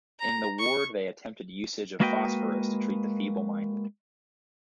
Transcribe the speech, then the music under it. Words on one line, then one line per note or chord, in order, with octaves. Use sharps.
In the ward they attempted usage of Phosphorus to treat the feeble-minded.
A#5
C#6
G#3 A#3 F#4 B4 D#5 G5